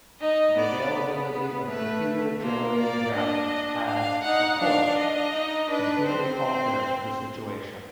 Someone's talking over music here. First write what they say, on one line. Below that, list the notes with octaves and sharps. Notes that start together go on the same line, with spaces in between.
The availability of computer-generated graphics has, of course, completely altered the situation.
D#4 D#5
B3 D5
A3 B4
A#3 C5
D5
D4 D#5
F5
D#4 F#5
D4 F5
D#5
D#4
D4 B4
C4 C5
C4